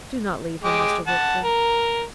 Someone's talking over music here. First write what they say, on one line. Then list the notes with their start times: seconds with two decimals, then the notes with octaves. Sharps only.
"Do not leave him, Mr. Whitford."
0.64 G#3 G5 D6
1.07 F#5 A5
1.44 A#4